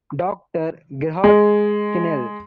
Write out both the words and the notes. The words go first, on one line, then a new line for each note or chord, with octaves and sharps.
Doctor Gerhard Kienle.
G#3